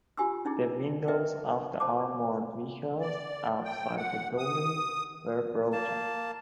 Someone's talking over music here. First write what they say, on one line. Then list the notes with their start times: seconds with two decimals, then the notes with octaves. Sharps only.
The windows of the armored vehicles outside the building were broken.
0.17 F4 G4 G#5 C6 E6
0.45 C#4 D#4 E4 G#4
1.08 A#4 B4 D#5 E5 G5
1.80 C5 A5 C6 D6
3.01 D5
3.64 G5
3.97 F#5
4.38 D#6
5.73 A#3 A5